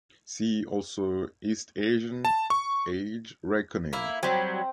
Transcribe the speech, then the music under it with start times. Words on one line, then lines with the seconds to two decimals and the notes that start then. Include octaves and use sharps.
See also East Asian age reckoning.
2.25 A5
2.50 C#6
3.93 A#3 E4
4.23 F#3 G3 C4 G5